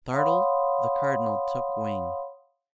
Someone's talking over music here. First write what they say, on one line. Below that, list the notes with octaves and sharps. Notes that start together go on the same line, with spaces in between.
Startled, the Cardinal took wing.
C#5 F5 F#5 B5 C6 D#6